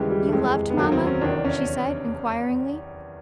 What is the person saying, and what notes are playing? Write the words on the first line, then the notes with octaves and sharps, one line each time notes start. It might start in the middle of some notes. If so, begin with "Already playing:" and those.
"You loved mamma?" she said inquiringly.
Already playing: D#2 C#3 E3 G3 G#3
G3
A3
F2 C#3 E3 G#3
B3
D#2 D3 F#3 A#3
C4
C#4
E2 C3 D#3 D4
C#4